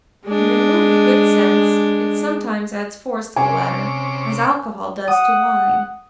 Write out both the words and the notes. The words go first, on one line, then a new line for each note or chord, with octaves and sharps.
Mingled with good sense, it sometimes adds force to the latter, as alcohol does to wine.
G#3 D4
C3 C#4 G#5 D6
F#5 D#6